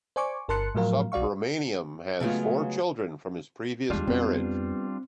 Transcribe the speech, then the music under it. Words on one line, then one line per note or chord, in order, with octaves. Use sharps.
Subramaniam has four children from his previous marriage.
C5 D5 G#5 C#6 D6
G1 A#4 A5 C6 F#6 C#7
A2 F3 F#3 A#4 F5
B1 F#4 D5 F5 C#6
C#3 F#3 G#3 A3 B3 F4
E2 G3 G#3 D4 F4
F2 B3 C4